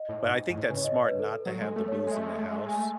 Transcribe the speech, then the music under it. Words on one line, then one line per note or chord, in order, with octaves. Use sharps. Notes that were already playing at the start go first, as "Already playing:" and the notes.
But I think that's smart not to have the booze in the house.
Already playing: D#5
A2
G#2
G#2
A2
C#3 B4
C#5
D#5
C#5
B4
A4
F#3
G#3
A3 A4
C#5
A3
G#3 E5
A3
G#3
A3
G#3
A3
G#3 G#5
A3